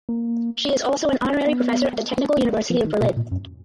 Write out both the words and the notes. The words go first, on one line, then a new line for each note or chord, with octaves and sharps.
She is also an honorary professor at the Technical University of Berlin.
A#3
B3
F3
D#3
B2
A#2
F#2